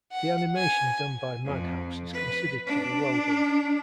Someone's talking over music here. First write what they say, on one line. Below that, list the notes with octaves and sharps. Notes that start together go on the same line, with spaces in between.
The animation done by Madhouse is considered to be well done.
F#5
G#5
F2
B4
D4